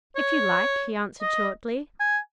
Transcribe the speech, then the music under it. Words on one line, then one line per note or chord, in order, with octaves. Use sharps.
"If you like," he answered shortly.
C#5
D#5
G#5